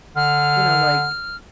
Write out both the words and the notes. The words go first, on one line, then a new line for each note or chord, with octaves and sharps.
you know, like
D3 F6